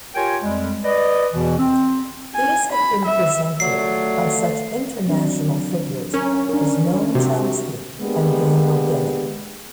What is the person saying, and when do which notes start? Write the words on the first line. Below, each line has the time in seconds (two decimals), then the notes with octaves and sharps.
These have been presented by such international figures as Noam Chomsky and Daniel Dennett.
0.15 F4 G4 A#4 C#5 G5 G#5
0.42 F2 G3 G#3
0.84 B4 D5 D#5
1.33 E2 B2 E3
1.58 C4
2.35 G#5
2.72 B5
3.05 E5
3.60 C#3 F#3 A3 F4 D5 C7
5.06 F#3 C4 D4
6.14 C#4 A#4
6.49 D4 A#4
7.15 C3 F#4 G4
8.01 G#3 A#3 B3 D4 G4